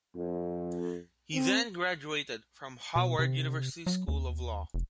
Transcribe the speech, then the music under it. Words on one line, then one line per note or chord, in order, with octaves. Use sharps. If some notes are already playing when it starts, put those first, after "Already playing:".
He then graduated from Howard University School of Law.
F2
C4
B2
C3
F#3
D#2
F1